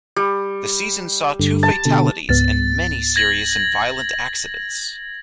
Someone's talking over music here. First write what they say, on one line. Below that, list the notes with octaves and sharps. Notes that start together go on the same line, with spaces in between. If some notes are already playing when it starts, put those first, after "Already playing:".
The season saw two fatalities and many serious and violent accidents.
G3
G2 D3
A5
B2 D3
C#2 G#2 B3 A6
G#6 A#6 F#7